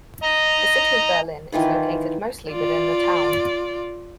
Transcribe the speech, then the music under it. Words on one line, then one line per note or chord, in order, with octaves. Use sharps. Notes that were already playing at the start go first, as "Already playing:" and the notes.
The City of Berlin is located mostly within the town.
D#5 A#5
D#3 E3 F4 B4
F4 D5